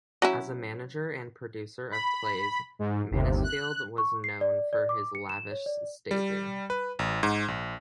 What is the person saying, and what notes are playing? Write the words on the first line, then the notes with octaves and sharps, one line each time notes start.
As a manager and producer of plays, Mansfield was known for his lavish staging.
F#3 C#4 E4
B5
G#2
G1 D#2 C3
F#6
C#6
C7
D5
D5
D6
C#7
E7
C#5
D5
G3
B4
A1
G#2
A#1